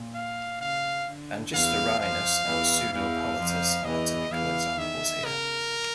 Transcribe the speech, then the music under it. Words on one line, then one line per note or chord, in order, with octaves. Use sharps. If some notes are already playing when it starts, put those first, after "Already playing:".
"Angistorhinus" and "Pseudopalatus" are typical examples here.
Already playing: A#2
F5
C#3 F5
D3
E2 E3 F5
F2 F3 F5
E2 E3
E2 E3 F5
F2 F3
E2 E3 D#5
E2 E3 F5
D#3 E5
C#3 A#4